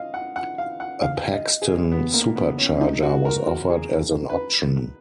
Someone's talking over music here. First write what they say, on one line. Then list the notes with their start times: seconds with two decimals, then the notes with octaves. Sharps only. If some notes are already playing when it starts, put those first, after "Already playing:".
A Paxton supercharger was offered as an option.
Already playing: D#5 F5
0.14 F#5
0.36 F#5
0.58 F5
0.80 F#5
1.02 F5
1.32 D#5
1.62 G#4
1.92 B3
2.14 A#3
2.36 B3
2.58 C#4
2.81 D#4
3.03 F#4
3.25 A#4
3.47 F#4
3.70 G#4
4.29 B4